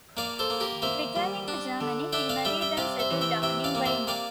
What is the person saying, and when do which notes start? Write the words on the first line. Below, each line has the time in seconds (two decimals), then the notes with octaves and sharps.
Returning to Germany, he married and settled down in Weimar.
0.17 A#3 D5 F5
0.39 A4 C5
0.50 A#3
0.60 G4 A#4
0.82 A#3 C5 E5
1.16 G3
1.48 D4
1.81 D3
2.13 D4 E5 G5
2.29 D5 F5
2.45 G3 E5 G5
2.61 E5 G5
2.77 C3 D5 F5
2.99 C5 E5
3.11 E3
3.21 E5 G5
3.42 C3 E5 G5
3.64 D5 F5
3.75 A#3
3.86 C5 E5
4.07 A#3 D5 F5